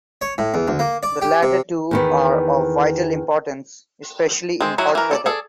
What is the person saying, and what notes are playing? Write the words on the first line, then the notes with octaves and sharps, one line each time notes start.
The latter two are of vital importance, especially in hot weather.
C#5
A2
E2
D2
A#3
D5
G4
C3
E2 D#3 B3
G#3 C4
D#3 F#3 E4 F#4
E3 A#4
A4 C#5 D5
G#4 A4 D5